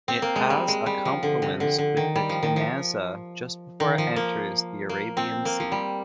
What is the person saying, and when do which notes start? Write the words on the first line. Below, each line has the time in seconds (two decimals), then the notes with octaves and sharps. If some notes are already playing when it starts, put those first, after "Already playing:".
It has a confluence with the Tanasa just before it enters the Arabian Sea.
0.08 C4
0.22 A#3
0.36 G#3
0.50 G3
0.68 G#3
0.86 G3
1.05 F3
1.23 D3
1.42 C3
1.60 D3
1.78 D3
1.97 D#3
2.16 G3
2.29 F3
2.43 D#3
2.56 F3
3.80 D#3
3.98 F3
4.16 A#3
4.89 A#3
5.17 C4
5.45 A#3
5.60 F3
5.72 G3